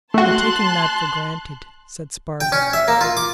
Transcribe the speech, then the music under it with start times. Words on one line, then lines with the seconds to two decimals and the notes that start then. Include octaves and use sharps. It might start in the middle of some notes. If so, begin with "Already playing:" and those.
"We're taking that for granted," said Spargo.
0.14 A3 F#4 A5 C6 F#6
2.41 G5
2.52 C#4
2.73 E5
2.88 A#3
3.01 F4
3.17 D6